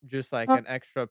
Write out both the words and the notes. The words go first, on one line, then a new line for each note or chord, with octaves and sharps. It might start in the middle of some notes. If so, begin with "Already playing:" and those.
just, like, an extra
C4